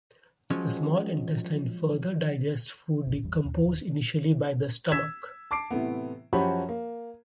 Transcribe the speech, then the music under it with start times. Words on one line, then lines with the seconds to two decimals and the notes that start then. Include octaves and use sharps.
The small intestine further digests food decomposed initially by the stomach.
0.50 F3 F#3 G#3 C#4
3.07 F#1 B1 A#2
3.23 A1 E2 E3 G3
3.45 D#2
3.65 D#1
4.92 E6 G#6 B6 E7
5.51 A5 D6 C7 D7
5.71 A2 C3 E3 A3 B3
6.33 F#2 F3 F#4 G4 C#5 B5
6.69 A#3